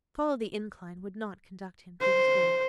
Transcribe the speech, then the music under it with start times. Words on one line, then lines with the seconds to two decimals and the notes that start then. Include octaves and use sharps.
To follow the incline would not conduct him to his goal.
2.01 C5